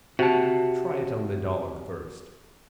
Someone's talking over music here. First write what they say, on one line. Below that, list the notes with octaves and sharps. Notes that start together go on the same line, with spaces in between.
Try it on the dog first.
C3 F#4 A5